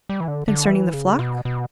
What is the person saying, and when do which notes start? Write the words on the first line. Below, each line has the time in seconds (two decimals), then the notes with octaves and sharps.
Concerning the flock?
0.09 G3
0.20 E3
0.28 D3
0.48 D3
0.67 E3
0.93 C#3
1.19 B2
1.45 B2